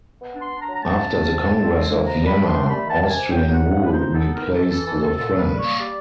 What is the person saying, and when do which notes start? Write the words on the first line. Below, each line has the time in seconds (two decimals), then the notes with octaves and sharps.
After the Congress of Vienna, Austrian rule replaced the French.
0.20 B3
0.36 D4
0.41 C6
0.52 D4
0.62 A#5
0.67 F#3
0.74 A#5
0.83 A3 A5
0.98 D4
1.14 D4
1.29 C3
1.45 G#3
1.60 C4
1.75 G#3
1.91 F3
2.07 D4 A#5
2.22 D4 B5
2.38 D4
2.48 A3 C6
2.68 G3 B5
2.84 D#3 A5
3.00 D#3
3.05 A5
3.10 G#5
3.15 C3
3.30 F#3 G5
3.46 D#4 F#5
3.61 F#3
3.71 F#5
3.78 B3
3.85 B4
3.93 D#4 C5
4.08 B3
4.14 A4
4.24 D#4
4.34 E3 A#4
4.55 E3 A4
4.70 E3 A4
4.86 E3 A4
5.01 C3 A4
5.16 A#2 A4
5.32 A#2
5.38 B4
5.48 G3
5.58 A#3 C#5
5.79 G3 D5